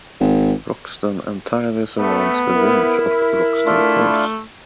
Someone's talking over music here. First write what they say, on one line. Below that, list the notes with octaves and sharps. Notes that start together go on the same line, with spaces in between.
Roxton entirely surrounds the village of Roxton Falls.
G#1
A3 B3
E4 A#4
A3 D4 F4